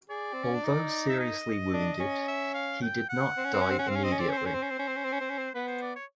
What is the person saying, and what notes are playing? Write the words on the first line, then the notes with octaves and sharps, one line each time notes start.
Although seriously wounded, he did not die immediately.
G#4 D5
C4
C#4
D4
D#4
E5
D#5
D4
C#4
E5
F5
G5
F#5
C4
C#4
C4
C#4
C4
C#4
C4
C#4 F5
C4 D#5
C#4
C4 D5
C#4 C5
C4
C#4 C5
C4
C#4
C4
C#4
C4
C#4
C4
C#4
C4
C#4
C4
B3 B4
C5
D5
C#5